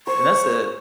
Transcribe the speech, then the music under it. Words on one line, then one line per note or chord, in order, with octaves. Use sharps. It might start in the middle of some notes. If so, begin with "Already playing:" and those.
and that's a
C5 C#6